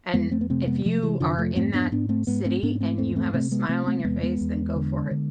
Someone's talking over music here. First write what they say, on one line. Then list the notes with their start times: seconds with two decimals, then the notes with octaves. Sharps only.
And if you are in that city and you have a smile on your face, then go for it.
0.14 F2 G#3 B3
0.31 A3 C4
0.41 B3
0.50 C3 A3 C4
0.67 G#3 B3
0.85 C3 F3 A3
1.03 E3 G#3
1.20 F2 D3 F3
1.38 F3 A3
1.56 G#2 A3 C4
1.74 B3 D4
1.92 G#2 B3 D4
2.09 A3 C4
2.27 G#2 G#3 B3
2.45 A3 C4
2.63 G#2 B3 D4
2.75 D4
2.81 A3 C4
2.98 E2 A3 C4
3.16 A3 C4
3.33 C3 A3 C4
3.52 G#3 B3
3.69 C3 A3 C4
3.87 A3 C4
4.00 A3
4.05 E2 G#3 B3
4.23 G#3 B3
4.41 E2
4.76 D3
5.11 D3